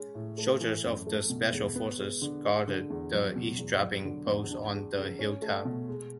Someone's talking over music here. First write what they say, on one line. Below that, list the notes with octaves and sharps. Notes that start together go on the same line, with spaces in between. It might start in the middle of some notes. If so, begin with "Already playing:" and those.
Soldiers of the Special Forces guarded the eavesdropping post on the hilltop.
Already playing: G#3 C#4
A2
A3
E3
F#2
A3
B2
E2
B3
G#3
D3
G#3
D3
E2
F#3
B2
E2
F#3
D3
E2
D4
G#3
C#3
C#4
A3
B2
G#3